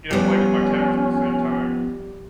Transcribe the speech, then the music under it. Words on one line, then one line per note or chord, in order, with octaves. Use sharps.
you know, play with my cats at the same time.
F3 G3 B3 C#4